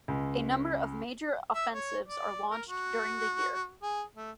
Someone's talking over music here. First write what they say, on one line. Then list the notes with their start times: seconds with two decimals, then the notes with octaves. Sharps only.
A number of major offensives are launched during the year.
0.08 C#2
1.55 E5
1.73 C#5
2.08 D5
2.51 A#4
2.68 F#4
3.82 G#4
4.16 A3